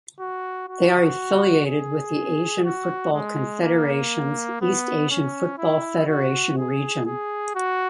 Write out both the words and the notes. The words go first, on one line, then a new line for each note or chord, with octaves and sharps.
They are affiliated with the Asian Football Confederation's East Asian Football Federation region.
F#4
F#4
G#4
F#4
G#3
A#3
B3
C#4
E4
F#4
G#4
G#4
F#4